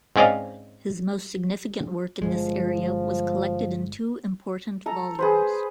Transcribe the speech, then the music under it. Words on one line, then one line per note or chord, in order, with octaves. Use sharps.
His most significant work in this area was collected in two important volumes.
G#2 C4 C#4 D5 D#5 F5
G1 D#2 F3 G#3
A4 A5 A#5
G#4 B4 C5